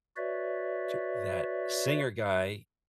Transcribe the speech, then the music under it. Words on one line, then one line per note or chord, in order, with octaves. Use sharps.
t that singer guy,
F#4 B4 C#5 D5 E5